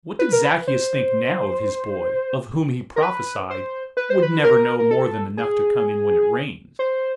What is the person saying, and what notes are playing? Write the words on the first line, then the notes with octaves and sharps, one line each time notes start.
What did Zaccheus think now of his boy of whom he prophesied "would never know more than enough to come in when it rains"?
B4
A#4
B4
C5
A#4
B4
C5
B4
C5
B4
A#4
A#4
A4
G#4
C5